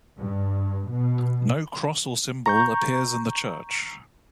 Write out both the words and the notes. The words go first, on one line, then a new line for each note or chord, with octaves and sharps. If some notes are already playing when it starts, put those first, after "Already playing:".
No cross or symbol appears in the church.
G2
B2
A#5 C#6 G6